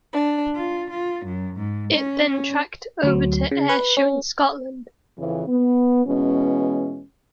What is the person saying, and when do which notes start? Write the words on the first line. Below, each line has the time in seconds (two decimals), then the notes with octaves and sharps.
It then tracked over to Ayrshire in Scotland.
0.13 D4
0.54 F4
0.90 F4
1.26 F#2
1.56 G#2
1.94 C#4
2.30 C#4
3.03 D2 F#3
3.51 C#3
3.69 B4
3.97 C#4
5.18 F2 C#3 E3
5.48 B3
6.05 B2 E3 G#3 C#4